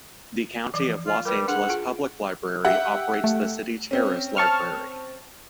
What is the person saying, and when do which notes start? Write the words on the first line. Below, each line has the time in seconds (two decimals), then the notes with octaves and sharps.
The County of Los Angeles Public Library operates the City Terrace Library.
0.74 E3 F3 D6
1.07 F4
1.25 G3 A#4 B4
1.48 D4 G#4 F#5
1.68 F4 G#4 G5
2.65 G4 E5 F#5
3.24 A3
3.91 C4 C#4
4.37 A5 C#6 F6